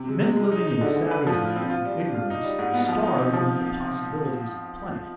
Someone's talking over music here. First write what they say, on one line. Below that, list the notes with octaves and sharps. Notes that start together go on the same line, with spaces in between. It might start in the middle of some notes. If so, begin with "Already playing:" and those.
Men living in savagery and ignorance starve amid the possibilities of plenty.
Already playing: C3
G#3
G#3
G#3
D#4
D#4
D3
D3
B4
F3
F4
C4
F4
G3
D4
F4
D#4
G3
G#2
B3
F3
D#4
C4
F3